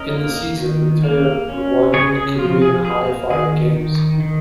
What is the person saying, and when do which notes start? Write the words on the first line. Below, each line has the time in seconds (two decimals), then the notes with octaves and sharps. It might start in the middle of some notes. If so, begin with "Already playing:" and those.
In the season, Mitre won a career-high five games.
Already playing: C#4 A#4 D#5
0.12 A#3
0.58 D#3
1.03 A#3
1.49 C#4
1.94 C#3 G#4 C#5
2.16 G#4
2.38 F3 F4
2.62 G#4
2.84 A#3 G#4
3.30 D#3 G#4
3.75 D#3
4.20 D#3